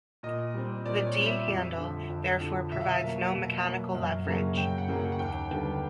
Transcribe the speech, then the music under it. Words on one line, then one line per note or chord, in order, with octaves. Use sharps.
The D-handle therefore provides no mechanical leverage.
A#2 D#5
G3 C4
A#2 D5
C#5
G3 C4
E5
F2
D3
F3
F2
D3 F3
B2 E5
F5
E5
F#3 A#3
B2
F#3 A#3
F#2
C#3 F#3 A#3 C#4
F#2 G5
F#5
C#3 F#3 A#3 C#4
F#5
F#5
D#2 G5
D3 G3 B3